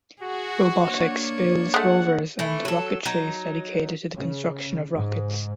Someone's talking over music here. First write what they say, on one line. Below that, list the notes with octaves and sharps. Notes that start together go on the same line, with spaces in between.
Robotics builds rovers and Rocketry is dedicated to the construction of rockets.
F#4 G#4
A#3 D4 C#5
G#3 A3 F#5
E3 A3
F#3 A4
F#3 D#4
C#3
G#2